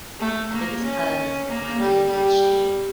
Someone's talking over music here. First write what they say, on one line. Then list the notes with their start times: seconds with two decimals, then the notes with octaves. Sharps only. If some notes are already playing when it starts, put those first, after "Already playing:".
I think it's 'cause of my ADHD
0.20 A3
0.52 A#3
0.84 C#4
1.47 A#3
1.79 G3
2.11 G3